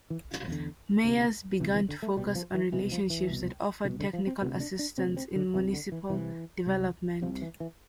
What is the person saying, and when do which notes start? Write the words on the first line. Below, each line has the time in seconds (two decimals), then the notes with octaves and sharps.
Mayors began to focus on relationships that offered technical assistance in municipal development.
0.10 E3
0.48 E2 D3
1.04 D2 C3
1.60 D2 C3 E3
1.74 E3
1.89 D3
2.02 A3
2.17 C2 B2 G3
2.35 F3
2.54 E3
2.72 C2 B2 E3
2.92 F3
3.10 E3
3.29 C2 B2
3.85 C2 B2 D3
4.00 D3
4.13 F3
4.27 C4
4.41 D2 C3 B3
4.60 D4
4.79 D4
4.98 C3 C4
5.02 D2
5.17 C4
5.36 D3
5.54 C2 C3 E3
5.73 D3
5.92 E3
6.10 C2 C3 E3
6.66 C2 C3
7.22 C3 F3
7.26 C2
7.42 E3
7.60 E3